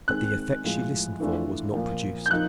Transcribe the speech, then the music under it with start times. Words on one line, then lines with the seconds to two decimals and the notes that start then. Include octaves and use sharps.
But the effect she listened for was not produced.
0.08 D#3 G#3 C4 F#6
0.64 A2 F3 G#3
1.20 E3 A3 D4 F4
1.75 A#2 F3 A#3
2.26 G6
2.31 F3 A#3 D#4 F#6